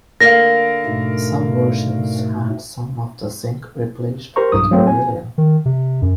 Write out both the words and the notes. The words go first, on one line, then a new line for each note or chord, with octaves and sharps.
Some versions had some of the zinc replaced with beryllium.
D3 A#3 A#4 F5 A#6
G#2 B2 A3
G4 A#4 C5 A#5 C#6
B1 G2 D#6
F#3 A3 A#3 C4
G#5
D#3
C3
F#2